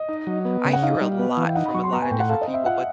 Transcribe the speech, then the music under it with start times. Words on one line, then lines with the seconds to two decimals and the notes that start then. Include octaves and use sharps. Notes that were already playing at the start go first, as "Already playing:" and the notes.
I hear a lot from a lotta different people, but
Already playing: D#5
0.09 D#4
0.27 F#3
0.45 B3
0.65 C#3
0.73 F#5
0.82 D#4 F5
1.01 G3
1.19 B3
1.37 E3
1.49 G5
1.55 D#4 F#5
1.65 B5
1.74 F#3 C#6
1.84 C6
1.93 B3 A#5
2.02 G#5
2.11 A2 G5
2.20 F#5
2.29 A4 F5
2.41 D#5
2.48 C4
2.54 E5
2.66 F4 F#5